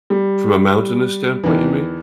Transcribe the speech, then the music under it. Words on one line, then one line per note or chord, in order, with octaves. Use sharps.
From a mountainous standpoint, you mean?
G3
E2 D#3 E3